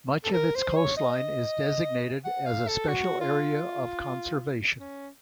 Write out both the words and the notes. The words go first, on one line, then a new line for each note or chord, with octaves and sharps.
Much of its coastline is designated as a Special Area of Conservation.
A4
A#4
C5
C#5
D#5
F#5
F5
A4
F#4
F4
C#4